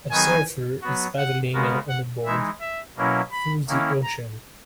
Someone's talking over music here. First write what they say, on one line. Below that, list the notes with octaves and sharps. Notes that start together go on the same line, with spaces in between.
A surfer is paddling on a board through the ocean.
D#3 F#3 B3 D#4 G#4 G#5
F#3 B3 F#4
F#5
C#3 G#3 B3 F#4 A#4
F#5
E3 G#3 D#4 E5
E5
B2 F#3 A#3 C#4 E4
B5
D#3 A#3 C#4 E4
A#5